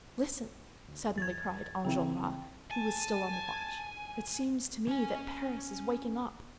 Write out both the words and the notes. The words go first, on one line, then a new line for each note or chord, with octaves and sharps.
"Listen," suddenly cried Enjolras, who was still on the watch, "it seems to me that Paris is waking up."
D2
E2 G#6 A6
C#3 E3 C4 E4 G5
G#5 A5
C#4 G#5